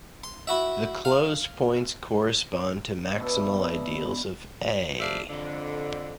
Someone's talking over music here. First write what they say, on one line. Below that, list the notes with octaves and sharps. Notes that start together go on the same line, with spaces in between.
The closed points correspond to maximal ideals of "A".
C6
E4 F#4 E5
F5
B2 B3 D4 E5
A4 C5 D5 E5 F5
F2 D3